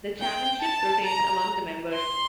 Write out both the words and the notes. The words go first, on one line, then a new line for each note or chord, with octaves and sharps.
The chairmanship rotates among the members.
G5
A5
A#5
C6